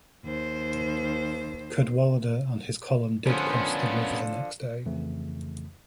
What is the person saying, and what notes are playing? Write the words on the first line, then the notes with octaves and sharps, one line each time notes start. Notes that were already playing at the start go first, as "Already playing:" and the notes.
Cadwalader and his column did cross the river the next day.
D#2 C5
D3 F3 B3 C#4
F2 C#3 E3 A3